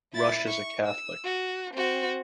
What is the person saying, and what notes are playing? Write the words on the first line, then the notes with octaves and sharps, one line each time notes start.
Rush is a Catholic.
E4 A6
C#6
E6
F#4
C4 F#4